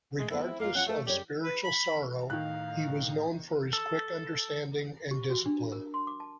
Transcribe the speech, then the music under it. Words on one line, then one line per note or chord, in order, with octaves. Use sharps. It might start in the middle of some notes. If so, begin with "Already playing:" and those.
Regardless of spiritual sorrow, he was known for his quick understanding and discipline.
G#3 A3
G#3 B3 C4 E4
A2 G#3 A#3 F4 F5
C#4 E4 F4 F#5
A3 A4 F5
F#2 C#3 G3 G4 C#5
B4
B5
A2 D#3 D#4 F5 F#6
A4
G4
F#4
D4
A#4
C6
D6
A5